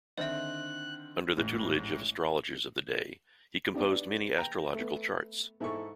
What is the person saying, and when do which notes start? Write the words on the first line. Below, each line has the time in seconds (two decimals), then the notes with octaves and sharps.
Under the tutelage of astrologers of the day, he composed many astrological charts.
0.18 D3 D#3 C4 D#5 E5 F#6
1.37 A1 G#2
3.74 B3 D4 D#4 G4
4.38 G5 A#5
4.74 A3 B3
5.60 G#2 E4 G#4 A4 C#6